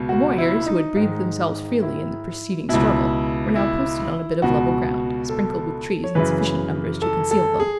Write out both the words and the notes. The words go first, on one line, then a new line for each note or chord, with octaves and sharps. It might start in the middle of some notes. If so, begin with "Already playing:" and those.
The warriors, who had breathed themselves freely in the preceding struggle, were now posted on a bit of level ground, sprinkled with trees in sufficient numbers to conceal them.
Already playing: C#2 B2
F#4
E4
D#4
G#2 D#3 D#4
E4
C#2 B2 E4
E4
C#2 B2 F#4
A4
C#5
F#2 C#3 E3 B4
A4
A4
G#4